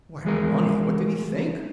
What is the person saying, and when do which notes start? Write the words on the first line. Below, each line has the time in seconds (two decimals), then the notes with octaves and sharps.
Why, money; what did he think?
0.25 E3 G#3 G#4 A#4